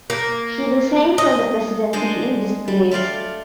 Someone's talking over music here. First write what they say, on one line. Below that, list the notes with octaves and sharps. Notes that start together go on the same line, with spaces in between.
He resigned from the presidency in disgrace.
A#3
D#5
G#3 D4 C5 D#5
G3
A3 F4 D5 F5